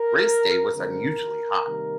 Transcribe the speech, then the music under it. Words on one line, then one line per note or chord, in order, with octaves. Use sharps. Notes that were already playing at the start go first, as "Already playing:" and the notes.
Race day was unusually hot.
Already playing: A#4
D3 F3 G#3 C4 A#4
C3 D#3 G3 A#3